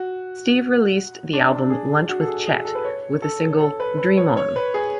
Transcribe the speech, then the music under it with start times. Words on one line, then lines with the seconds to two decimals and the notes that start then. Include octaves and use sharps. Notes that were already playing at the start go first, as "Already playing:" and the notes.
Steve released the album "Lunch With Chet" with the single "Dream On".
Already playing: F#4
1.33 D4
1.70 G#4
2.09 F#4
2.20 A4
2.27 G#4
2.47 G#4
2.65 A4
2.75 B4
2.85 C#5
3.22 A4
3.60 A4
3.80 B4
3.98 B4
4.17 C#5
4.37 C#5
4.56 B4
4.74 G#4